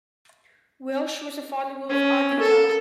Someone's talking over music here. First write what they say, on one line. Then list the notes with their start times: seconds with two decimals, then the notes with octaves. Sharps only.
Welsh was a follower of Adi Da.
1.89 C#4
2.40 A4